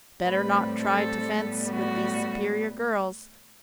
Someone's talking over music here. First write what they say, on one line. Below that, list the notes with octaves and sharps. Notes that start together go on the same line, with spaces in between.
Better not try to fence with these superior girls.
A2 G3 C4 B4
A4
A2 G3 B3
F#4